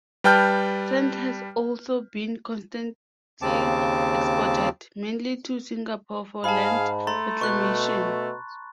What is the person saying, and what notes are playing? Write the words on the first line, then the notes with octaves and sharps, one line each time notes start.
Sand has also been constantly exported, mainly to Singapore for land reclamation.
G3 B4 G5 A5 F6 G6
D#2 C#3 C4 A5 D6
G#2 G#4 F5 A5 B5
A3 A#5 C6 A6
B2 C#6 F#6